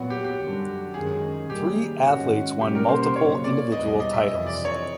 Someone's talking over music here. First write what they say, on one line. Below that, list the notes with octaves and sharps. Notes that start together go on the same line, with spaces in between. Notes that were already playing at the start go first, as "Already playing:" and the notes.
Three athletes won multiple individual titles.
Already playing: A#2 F#3 B3 F#4
G4
G4
F#2 D3 G3
F#2 D#3 G#3 C#4 G#4
F#2 D#3 G3 A#3 G4
G#2 D#3 G#3 C#4 F#4
B2 G3 A#3 C#4 G4
A#4
C5
C5
F#2 C#3 F#3 A#3 C#5
D5
E2 B2 G3 B3 D#5
D#5
D#5
E5
F2 C3 E3 D#5
D5
C#5